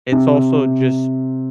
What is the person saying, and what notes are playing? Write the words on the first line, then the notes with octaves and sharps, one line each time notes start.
It's also just,
C3